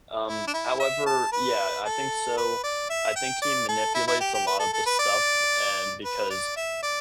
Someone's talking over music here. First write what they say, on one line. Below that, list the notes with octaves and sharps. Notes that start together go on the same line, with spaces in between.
Um, however yeah, I think so I think he manipulates a lot of the stuff and because
E4
D4
E4
E5
A5
B4
A4
B4
D5
E5
G5
D5
A4
E4
E4
G4
G4
B4
A4
A4
B4
D5
B4
D5
E5
D5